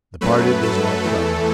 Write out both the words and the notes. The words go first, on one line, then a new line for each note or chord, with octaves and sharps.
The party does not come.
F#2 F#3 A3 B4
A4
E2 E3 A3